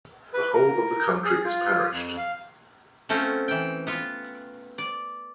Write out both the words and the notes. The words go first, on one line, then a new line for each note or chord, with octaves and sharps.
The whole of the county is parished.
B4
A#4
G#4
F4
F2
F5
A3 C4 C#4 F4
E3 G5
B3 F4
D5